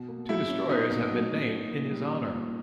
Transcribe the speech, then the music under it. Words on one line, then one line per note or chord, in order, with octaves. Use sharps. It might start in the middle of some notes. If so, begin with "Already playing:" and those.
Two destroyers have been named in his honor.
Already playing: B2
A#3
F#3 E4
C#4
B2 D#4
A#3
F#3
C#4
A#2
A#3
G3
C#4
A#2